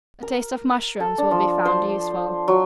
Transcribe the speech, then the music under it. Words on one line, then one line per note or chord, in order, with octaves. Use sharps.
A taste of mushrooms will be found useful.
A#4
A4
D4
F3
C5
F#3